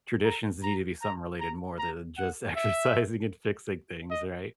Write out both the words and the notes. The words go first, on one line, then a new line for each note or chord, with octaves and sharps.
traditions need to be something related more to than just exercising and fixing things, right?"
A#5
A#5
A#5
A#5
A#5
F#5
E5
D#5